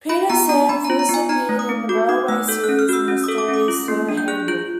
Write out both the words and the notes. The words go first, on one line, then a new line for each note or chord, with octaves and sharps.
Peter Sam first appeared in "The Railway Series" in the story "Sir Handel".
F4 B5
B3 A#5
D4 A#5
B3 B5
A#5
F4
A#5
B3 G#5
D#4 A#5
A3
D#6
C4
F#4 D6
D#4 D#6
A3 E6
A4 G6
C#4 F#6
F6
F#4 E6
C#4
A4 D#6
D6
C#4 D#6
F4
A#3
D4
G6
G#4 F#6
F4 G6